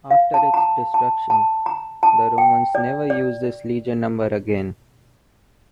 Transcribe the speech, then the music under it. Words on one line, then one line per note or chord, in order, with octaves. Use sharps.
After its destruction, the Romans never used this legion number again.
F5
A5
A#5
A5
A5
A5
A#5
A5
G5
D5
D5